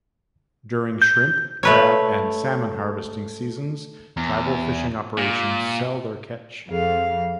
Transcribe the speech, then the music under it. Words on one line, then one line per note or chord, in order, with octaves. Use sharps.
During shrimp, crab, and salmon harvesting seasons, tribal fishing operations sell their fresh catch.
G6
A3 B4 C#5
E2
A#2
F2 F3 G#4 A4 F5